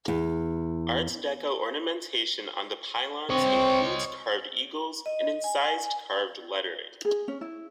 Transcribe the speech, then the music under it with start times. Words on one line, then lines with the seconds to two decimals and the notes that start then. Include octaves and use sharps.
Art Deco ornamentation on the pylons includes carved eagles and incised carved lettering.
0.08 E2
3.30 C4 C#5 D#5
5.06 D#5
5.44 G#5
7.05 G#4
7.28 C#4
7.41 E4